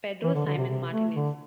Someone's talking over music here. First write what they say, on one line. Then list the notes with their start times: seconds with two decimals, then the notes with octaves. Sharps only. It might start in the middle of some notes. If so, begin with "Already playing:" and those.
Pedro Simon Martinez.
0.23 E3
0.34 D3
0.46 D3
0.57 C3
0.68 C3
0.91 A3
1.14 D3